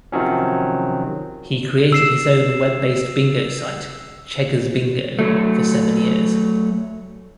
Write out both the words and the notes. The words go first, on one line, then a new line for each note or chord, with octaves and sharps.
He created his own web based bingo site 'Cheggersbingo' for seven years.
C3 D#3 F3 F#3 C#4
E6 C7 E7
F#3 A3